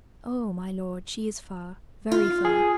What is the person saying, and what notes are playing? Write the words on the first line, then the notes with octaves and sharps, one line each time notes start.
'Oh, my lord, she is far, very far.
F4
G#4